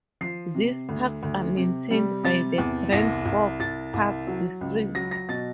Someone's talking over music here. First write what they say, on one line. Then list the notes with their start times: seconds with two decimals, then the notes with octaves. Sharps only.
These parks are maintained by the Grand Forks Park District.
0.21 F3 C7
0.55 C3
0.89 D2
1.23 D2
1.57 C3
1.91 G3
2.23 C3 A6
2.58 E2
2.92 C2 A#6
3.25 C2
3.60 C2 A6
3.93 C2
4.27 F#3
4.61 C#2
4.95 F#3 A#6
5.11 A#6
5.29 B2 A6